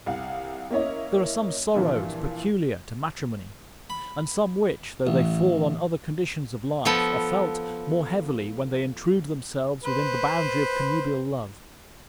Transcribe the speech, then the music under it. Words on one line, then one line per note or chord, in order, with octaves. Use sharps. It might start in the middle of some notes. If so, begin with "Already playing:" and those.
There are some sorrows peculiar to matrimony; and some which, though they fall on other conditions of life, are felt more heavily when they intrude themselves within the boundary of connubial love.
C2 F5 F#5
A#3 C#4 E4 C#5 D#5
G2 A#2 E3 F3
B5
A1
F3 B3 A4 B5
B4 C5